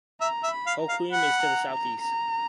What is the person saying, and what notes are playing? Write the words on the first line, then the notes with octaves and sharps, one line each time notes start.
Hoquiam is to the southeast.
E5 A#5
E5
B5
F5
A#5
F5
F#5 B5
A#5
A#5
A#5